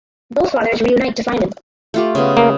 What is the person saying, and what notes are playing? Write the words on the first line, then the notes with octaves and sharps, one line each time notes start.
Both fathers reunite to find him.
A3 F4 G4
C#3 B3
A#3